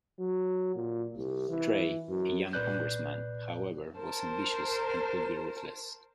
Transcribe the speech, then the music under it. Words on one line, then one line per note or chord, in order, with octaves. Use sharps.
Trey, a young congressman, however was ambitious and could be ruthless.
F#3
A#2
C2
E3
F#2
C2 A#2 B4 D5 F#6 G6
A#4 C5 A5